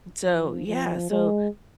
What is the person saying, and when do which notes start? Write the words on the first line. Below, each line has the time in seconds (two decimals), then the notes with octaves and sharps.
And so, yeah. So,
0.25 F3
0.67 F3
1.10 G#3